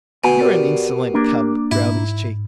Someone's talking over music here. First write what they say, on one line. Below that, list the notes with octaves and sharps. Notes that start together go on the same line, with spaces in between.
"You are an insolent cub," growled his Chief.
D2 B2 G#5
G4 A#4 D5
A#3 D4
G#2 E4